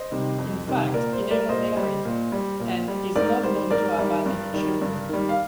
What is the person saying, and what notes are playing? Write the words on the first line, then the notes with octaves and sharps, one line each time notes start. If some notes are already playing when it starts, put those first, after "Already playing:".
In fact, he never married, and is not known to have had any children.
Already playing: C5 D#5
C3 D#3 G3
F2
C3 D#3 G3
A#2 A#4 D5
C5
G3
A#4 D5
A#2 C5 D#5
G3
A#2
G3
A#2
G3
G#2 A#4 D5
D#3 G3 C5
G#2 A#4 D5
D#3 G3
G2
D#3 G3
G2
D#3 G3
F5